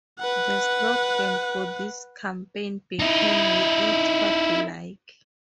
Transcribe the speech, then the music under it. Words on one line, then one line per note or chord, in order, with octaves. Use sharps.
The slogan for this campaign became "We eat what we like".
B4 F#5
D#4 E4